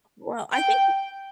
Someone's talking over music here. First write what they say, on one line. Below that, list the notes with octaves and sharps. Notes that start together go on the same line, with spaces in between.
Well, I think
G5